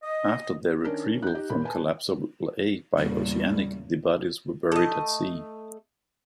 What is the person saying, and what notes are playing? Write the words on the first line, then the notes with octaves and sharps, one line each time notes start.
After their retrieval from Collapsible A by "Oceanic", the bodies were buried at sea.
D#5
D#3 C#4 D4 A#4
F#6 G6
D#4 G4
A#2 B5
B4 G#5 A5
E2 A#2 C#3 G3
A3 D#5